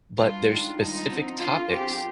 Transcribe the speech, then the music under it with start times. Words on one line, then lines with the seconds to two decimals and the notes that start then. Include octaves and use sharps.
but there's specific topics,
0.18 G2 F4
0.49 D#3 G#3 D4 F4
0.79 G2 D#4
1.09 D3 F3 C4
1.39 D3 F4
1.70 F3 C4 F4 G4 G#4